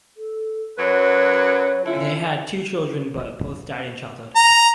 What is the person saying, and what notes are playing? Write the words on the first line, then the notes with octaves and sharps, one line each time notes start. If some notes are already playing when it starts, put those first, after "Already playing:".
They had two children, but both died in childhood.
A4
F#2 F#3 B4 C#5
D3 C#4 E4 F4
A#5